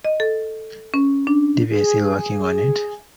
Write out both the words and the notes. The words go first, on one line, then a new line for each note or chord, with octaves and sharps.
Divya is still working on it.
D#5
A4
C#4
D4
G#4